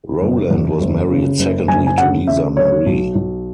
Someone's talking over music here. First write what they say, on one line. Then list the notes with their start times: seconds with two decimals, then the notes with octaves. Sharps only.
Rowland was married secondly to Lisa Marie.
0.22 F#1
0.51 E2
0.80 F#1
1.10 C#3
1.39 F#1
1.68 F#1 G#5
1.87 G#5
1.98 C#3 F#5
2.27 C#3 E5
2.57 F#3 C#5
2.86 B1
3.15 B1